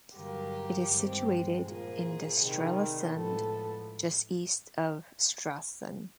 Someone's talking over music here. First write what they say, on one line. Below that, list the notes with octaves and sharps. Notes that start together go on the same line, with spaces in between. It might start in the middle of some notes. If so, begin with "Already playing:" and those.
It is situated in the Strelasund just east of Stralsund.
G2 D3 F#3 A#3 G4
G2 D#3 G#3 C4
A#2 F3 A#3 G#4
C3 D#3 G3
A2 F3 G#3 B3 A4